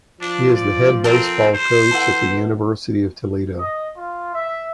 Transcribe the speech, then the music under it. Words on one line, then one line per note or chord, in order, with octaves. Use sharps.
He is the head baseball coach at the University of Toledo.
F3 D4
D5
C4 A4 A#4
C5
E3 A4 E5 F#5
B3
D#5
F4
E5